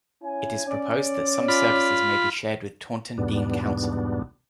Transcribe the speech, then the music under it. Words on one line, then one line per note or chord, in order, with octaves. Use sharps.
It is proposed that some services may be shared with Taunton Deane council.
C#4 E4 G#5
C#4 D5
F4 B5
E2 G#2 B2 G3 B3 D4